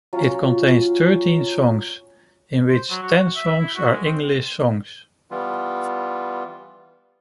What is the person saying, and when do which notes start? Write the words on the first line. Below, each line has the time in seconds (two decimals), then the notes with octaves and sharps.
It contains thirteen songs, in which ten songs are English songs.
0.13 F#3 C#4 F4
2.69 C5
2.90 F#3
3.02 F#4
3.19 F#4
3.36 E5
3.47 E5
3.60 E4
3.76 F#4
3.92 G#3
4.05 C4
5.31 E3 G3 B3 F4